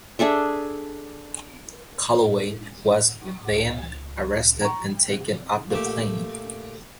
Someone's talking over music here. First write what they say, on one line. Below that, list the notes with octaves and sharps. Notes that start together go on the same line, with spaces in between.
Calloway was then arrested and taken off the plane.
D4 G#4 A4 E5
C#2
A#5 C#6
A#2 A3 G4